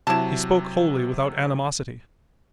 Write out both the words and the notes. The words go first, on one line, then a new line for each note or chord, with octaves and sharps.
He spoke wholly without animosity.
C3 F#3 E4 A5 E7